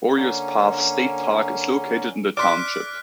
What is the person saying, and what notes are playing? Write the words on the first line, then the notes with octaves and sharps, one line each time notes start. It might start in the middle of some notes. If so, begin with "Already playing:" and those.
Warriors Path State Park is located in the township.
D3 A#3 C#4
D5 C6 D6 F6 F#6 B6